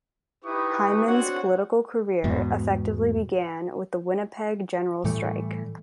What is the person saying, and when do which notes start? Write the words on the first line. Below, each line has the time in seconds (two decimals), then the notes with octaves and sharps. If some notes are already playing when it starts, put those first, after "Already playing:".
Hyman's political career effectively began with the Winnipeg General Strike.
0.44 D#4 E4 G4 B4 C#6 D#6
1.07 C4 D4 F#4 C#5 F#5
2.24 E2 G#2 B2
5.04 A2 E3 G3 A3